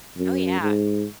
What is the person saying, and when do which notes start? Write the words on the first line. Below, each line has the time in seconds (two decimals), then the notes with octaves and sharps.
Oh, yeah.
0.17 F#2
0.60 G#2